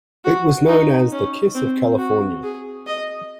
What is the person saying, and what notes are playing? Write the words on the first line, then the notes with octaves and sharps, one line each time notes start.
It was known as the Kiss of California.
F#4
D#4
C#4
C4
F#4
G#4
D#5